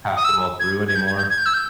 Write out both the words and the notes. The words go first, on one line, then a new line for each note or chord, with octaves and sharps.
pass them all through anymore.
D#6
E6
G#6
G#6
G6
G#6
G6
G#6
G6
E6
G6